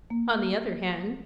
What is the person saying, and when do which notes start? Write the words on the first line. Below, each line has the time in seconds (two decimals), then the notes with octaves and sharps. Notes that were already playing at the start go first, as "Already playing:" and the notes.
On the other hand.
0.10 A#3